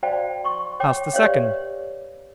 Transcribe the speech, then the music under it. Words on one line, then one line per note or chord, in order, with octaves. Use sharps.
House the second.
F#4 C5 D5 F5 G5 A5
C6 C#6
C#5 G5 D6
G4 B4 C#5 D5 E5 F5